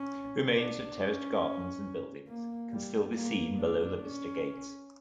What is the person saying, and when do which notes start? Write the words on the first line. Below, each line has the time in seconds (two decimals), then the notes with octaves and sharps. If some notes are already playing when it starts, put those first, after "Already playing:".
Remains of terraced gardens and buildings can still be seen below the Vista gates.
Already playing: C#4
0.55 D4
0.98 C#4
2.28 A#3
2.71 G3
3.15 A#3
3.58 D4
4.01 C#4